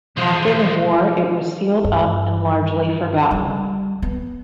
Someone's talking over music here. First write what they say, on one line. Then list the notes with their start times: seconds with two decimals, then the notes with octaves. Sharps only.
After the war, it was sealed up and largely forgotten.
0.17 E2 B2 F3 G#3 F4 C5
1.84 G2
3.31 G3
4.02 B3